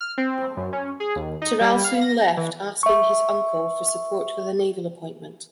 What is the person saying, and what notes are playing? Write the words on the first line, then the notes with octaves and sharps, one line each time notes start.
Tyrrell soon left, asking his uncle for support with a naval appointment.
F6
C4
F#2
C#4
G#4
D#2
D#4
G3
F5
A#6
E3
E5 C#6